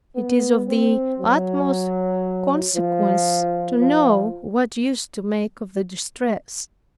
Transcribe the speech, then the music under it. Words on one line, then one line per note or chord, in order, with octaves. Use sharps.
It is of the utmost consequence to know what use to make of the distress.
B3
C4
F#3
F3
F3